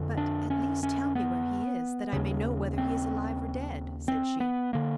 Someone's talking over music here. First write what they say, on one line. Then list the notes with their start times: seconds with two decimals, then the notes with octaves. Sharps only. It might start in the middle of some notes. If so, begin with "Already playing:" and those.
"But, at least, tell me where he is, that I may know whether he is alive or dead," said she.
Already playing: F2 D3
0.17 D4
0.50 C#4
0.83 C#4
1.15 B3
2.13 D#2 C#3
2.78 C4
4.08 C4
4.40 B3
4.73 D3 A#3